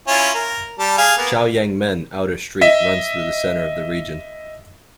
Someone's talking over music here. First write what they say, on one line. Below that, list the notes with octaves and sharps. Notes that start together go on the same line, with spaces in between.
Chaoyangmen Outer Street runs through the centre of the region.
C#4 E4 F4
A#4
G3 A5
G#4 F5
A#3 B3
D#5 E5 B6